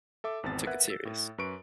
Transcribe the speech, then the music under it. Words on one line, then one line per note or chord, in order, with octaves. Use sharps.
Took it serious.
A4 E5 D6
G#1 E2 B3 C4 A5 A6
A#4 B4 E5 F#5 F#6 G#6
E6 A6
A2
F#2 B4 C#6 D7